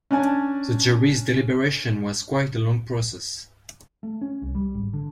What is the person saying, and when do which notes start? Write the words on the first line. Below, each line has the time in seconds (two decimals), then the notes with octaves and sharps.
The jury's deliberation was quite a long process.
0.11 C#4 D4 D5 G#5 A5
4.03 A3
4.21 C#4
4.42 C2
4.55 G3
4.74 G#1
4.93 D3